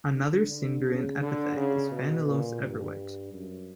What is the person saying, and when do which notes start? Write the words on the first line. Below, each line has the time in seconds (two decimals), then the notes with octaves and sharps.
Another Sindarin epithet is "Fanuilos" "Ever-white".
0.15 D3
0.50 D3
0.86 C#3
1.22 D3
1.56 C#3
1.91 B2
2.27 A#2
2.63 G2
3.34 F#2